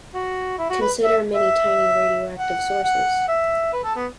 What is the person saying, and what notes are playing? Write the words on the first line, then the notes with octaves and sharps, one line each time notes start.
Consider many tiny radioactive sources.
F#4
E4
F#4
B4
E5
E5
F#5
F#5
E5
B4
A4
B3